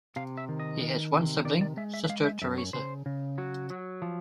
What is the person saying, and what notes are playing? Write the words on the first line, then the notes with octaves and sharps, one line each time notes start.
He has one sibling, sister Teresa.
C3 F5
E5
D#3
D#5
D#3
C3
D#3 D5
D5
G#3 E5
E5
E5
G#3 F5
E5
F#2 E5
C#5
C#3 C5
C#3
F#3 F#4
F#3
F3